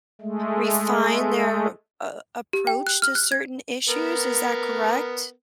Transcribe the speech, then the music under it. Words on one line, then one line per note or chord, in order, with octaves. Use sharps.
refine their a approach to certain issues, is that correct?
G#3 A3
G4
G5
F#6
F6
F#6
G#6
B3 A#4